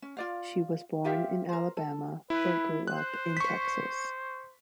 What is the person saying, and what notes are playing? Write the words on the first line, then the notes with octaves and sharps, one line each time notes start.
She was born in Alabama but grew up in Texas.
C#4
F4 D5 F5
F4 G4 E5 F5
A#4 C5
A4
E4 B4
C5 F#6
C#6 B6